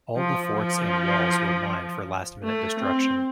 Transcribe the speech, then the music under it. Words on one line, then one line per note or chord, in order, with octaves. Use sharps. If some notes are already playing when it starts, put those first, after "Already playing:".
All the forts and walls were mined for last-minute destruction.
F3
F3
A3
C4